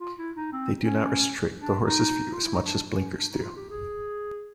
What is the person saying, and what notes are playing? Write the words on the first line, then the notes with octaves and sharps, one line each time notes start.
They do not restrict the horse's view as much as blinkers do.
F4
E4
D#4
C4
C#4
D4
D#4
F4
E4
D#4
D4
C#4
D4
D#4
F4
G4
G#4